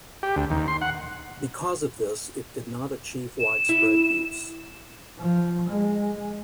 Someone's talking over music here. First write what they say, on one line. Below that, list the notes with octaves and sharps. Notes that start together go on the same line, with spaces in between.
Because of this, it did not achieve widespread use.
G4
D2
D#2
C6
F#5
E7
E4
F3
G#3